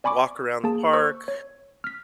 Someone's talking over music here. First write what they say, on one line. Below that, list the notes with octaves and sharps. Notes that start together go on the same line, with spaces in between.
walk around the park,
D5 G#5 B5 C#6 D6
A#3 G#4 A5
C5 C#6 E6
C#5
F6 B6